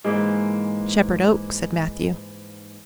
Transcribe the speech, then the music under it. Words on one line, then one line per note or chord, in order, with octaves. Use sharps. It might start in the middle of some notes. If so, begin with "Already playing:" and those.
"Shepherd Oak," said Matthew.
G#2 E3 G#3 A#3